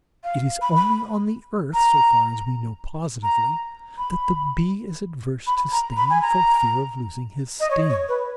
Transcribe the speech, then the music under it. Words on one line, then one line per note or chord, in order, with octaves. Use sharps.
It is only on the earth, so far as we know positively, that the bee is averse to stinging, for fear of losing his sting.
F5
B5
B5
A#5
A#5
B5
B5
A#5
B5
G#5
A#5
D#5
C#5
C#5
B4